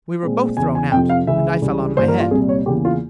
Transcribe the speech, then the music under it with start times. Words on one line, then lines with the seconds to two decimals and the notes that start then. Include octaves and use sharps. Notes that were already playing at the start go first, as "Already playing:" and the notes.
We were both thrown out, and I fell on my head.
0.23 A#2 G#3 C4
0.57 E2 C#3 E3 G#5
0.75 G#5
0.92 F2 C3 F3 G5
1.10 F5
1.27 C#2 C#3 E3 G#3 E5
1.62 C#2 C#3 E3 G3
1.96 G2 E3 A#3 C5
2.08 A#4
2.20 F4
2.31 C2 A#2 G3 G#4
2.49 C#5
2.66 E2 C#3 E3 A#3 G4
2.85 F4